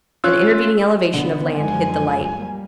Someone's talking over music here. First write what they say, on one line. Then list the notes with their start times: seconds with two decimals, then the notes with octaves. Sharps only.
An intervening elevation of land hid the light.
0.24 C#4 F4 C#5 E6 F#6
1.14 D3 B3
1.56 F#2 F3 G#3 G#5
2.36 G3 A#3